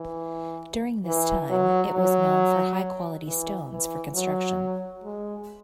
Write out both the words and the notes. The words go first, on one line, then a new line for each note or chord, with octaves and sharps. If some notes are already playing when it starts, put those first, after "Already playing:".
During this time, it was known for high quality stones for construction.
Already playing: E3
E3
F#3
F#3
E3
E3
F#3
G#3